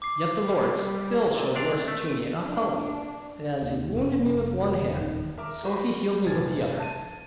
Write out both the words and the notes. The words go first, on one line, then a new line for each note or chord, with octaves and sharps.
Yet the Lord still showed mercy to me, and upheld me; and as He wounded me with one hand, so he healed me with the other.
D6 C7
G3
A#2
D2 C3 D4 D5 F5
A3
D4
D#2
F1
D#1 G#1 D#3
A#4 E5 D6
F#4 C5 B5
F1 A#2 F3 G#6 A6
A5 D#7